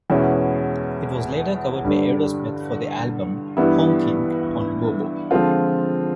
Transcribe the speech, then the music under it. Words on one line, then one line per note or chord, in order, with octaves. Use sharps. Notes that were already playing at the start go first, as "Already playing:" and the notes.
It was later covered by Aerosmith for the album "Honkin' on Bobo".
E2 B2 G#3 C#4 E4
G2 D3 G3
G2 E3 G3 B3 E4
D3 F3 G#3 C4 F4